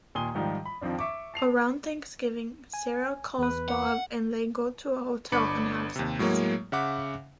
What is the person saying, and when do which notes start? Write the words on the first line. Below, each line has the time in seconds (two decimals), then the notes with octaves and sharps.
Around Thanksgiving Sarah calls Bob and they go to a hotel and have sex.
0.15 D#2 A#2 G#5 C6 D#6 G7
0.35 G#2 D#3 F3 G3
0.65 B5
0.81 F2 D#3 F3 C4 D4
0.99 E5 C#6 D6
1.34 A5 C7 F7
2.73 G#5
3.38 E2 B4
3.69 F#5
5.32 G1 D4 B5 D6 C#7
5.96 D#2 C3
6.19 A2 F#3 G#3 A#3 C#5
6.72 C#3 E5 F#5 D6